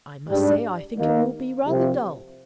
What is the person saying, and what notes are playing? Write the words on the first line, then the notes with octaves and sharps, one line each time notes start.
"I must say, I think it will be rather dull."
G#2 G3 D4
D#2 D#3 A#3 D#4
C2 C3 F3 C4